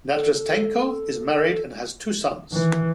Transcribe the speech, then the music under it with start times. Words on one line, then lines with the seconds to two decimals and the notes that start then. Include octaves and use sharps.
Nazdratenko is married and has two sons.
0.13 A4
2.52 D#3 E3